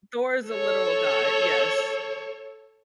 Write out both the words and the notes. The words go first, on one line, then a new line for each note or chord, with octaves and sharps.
Thor is a literal god, yes.
A4 C#5